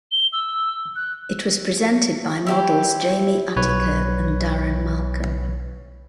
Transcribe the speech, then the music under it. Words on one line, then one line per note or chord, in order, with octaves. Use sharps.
It was presented by models Jamie Atiko and Darren Malcolm.
G7
E6
F#6
E4 G4 C5
B1 B4 C#5